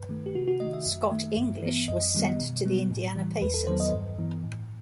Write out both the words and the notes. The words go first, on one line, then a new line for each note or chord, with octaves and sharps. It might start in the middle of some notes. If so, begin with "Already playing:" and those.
Scott English was sent to the Indiana Pacers.
Already playing: G2 B4
D#3 A3
G4
C3 F#4
F#4
D#3 A3 D#5
E5
F#2
D#3 A3
G2
E3 B3
F#2 D#5
D#3 G3 B3
B2
G3 B3
A2
E3 G3
E2 B4
A4
D#3 F#3 B3 C5
D#5
G2
E3 B3
A2